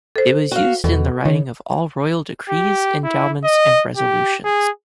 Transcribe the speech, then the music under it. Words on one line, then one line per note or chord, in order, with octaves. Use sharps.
It was used in the writing of all royal decrees, endowments, and resolutions.
A4 C5
F#4 F5
E2 B2 A4
D#3 C#5
G4
E4
D#5
G4
G#4